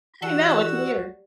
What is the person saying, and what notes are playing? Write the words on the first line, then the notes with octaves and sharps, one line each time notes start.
I know, it's weird.
E3 G3 F#4 F#5 E6